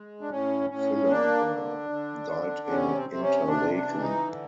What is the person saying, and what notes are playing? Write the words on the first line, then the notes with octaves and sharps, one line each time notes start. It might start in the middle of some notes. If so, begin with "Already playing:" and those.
Fillunger died in Interlaken.
Already playing: G#3
D4
A2 C#4
A2 C#4
A#3 D4
D3
D3
D3
C3 C#4
C4
C3 C4
C#4
C3 D4
D4
E3
D#4
D3